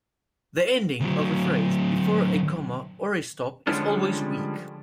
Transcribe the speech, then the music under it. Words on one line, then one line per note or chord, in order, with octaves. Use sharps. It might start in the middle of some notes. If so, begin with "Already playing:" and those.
The ending of a phrase, before a comma, or a stop, is always weak.
D2 F#3
D3 F3 G3 G#3 C#4 D4